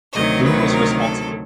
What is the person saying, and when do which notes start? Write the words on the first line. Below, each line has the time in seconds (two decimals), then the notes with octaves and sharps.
Who was responsible?
0.14 D2 C3 D#3 F#3 D#5
0.44 B4
0.72 A#4
1.00 A4